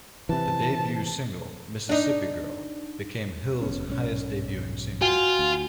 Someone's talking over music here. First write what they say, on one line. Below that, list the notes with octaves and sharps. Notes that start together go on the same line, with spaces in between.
The debut single, "Mississippi Girl", became Hill's highest-debuting single.
C3 E3 A5
D4 D#4
F1 B3 C#4
B1 G#2 C#4
F4 F#4 G5 G#5
D2